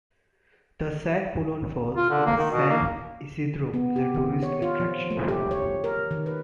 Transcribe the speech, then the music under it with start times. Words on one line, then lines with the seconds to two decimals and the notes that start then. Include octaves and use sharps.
The Sagpulon Falls in San Isidro is a tourist attraction.
1.96 F4
2.10 D3
2.26 A#3
2.37 D#3
2.51 B2
2.70 A#3
3.74 B3
3.96 G4
4.14 D#3
4.43 C#5
4.62 F4
4.80 F3
5.11 A3
5.28 G4
5.51 C#5
5.84 A#4
6.11 D#3
6.26 B4